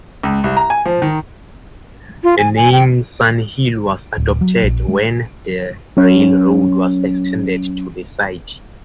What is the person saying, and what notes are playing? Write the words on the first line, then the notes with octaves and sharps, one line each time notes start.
The name Sun Hill was adopted when the railroad was extended to the site.
C#2
C2
A#5
G#5
F3
D#3
F4
G#5
G#5
G5
D1
F#3
A#1
G#3
F#3 C#4